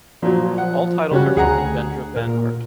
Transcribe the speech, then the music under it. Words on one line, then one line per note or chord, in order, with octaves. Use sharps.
All titles are from Devendra Banhart.
A#2 F3 F#3
F#5
C#3 G3 C#4 F#4
D2 G#4 F#5 A#5
A#2 A#4